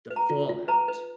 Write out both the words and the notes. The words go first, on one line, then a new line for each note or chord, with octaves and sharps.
the fallout.
B4
A#5
F4
F4
B4 A#5
B4